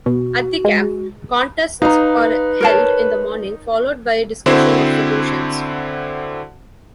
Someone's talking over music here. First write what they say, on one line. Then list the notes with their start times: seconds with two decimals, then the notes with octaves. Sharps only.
At the camp, contests are held in the morning, followed by discussion of solutions.
0.06 B2 F#4
0.65 G#3
1.82 D#4 B4 F5 A#5
2.61 A#4 C#5 A5
4.46 D3 C4 E4 F#4 C5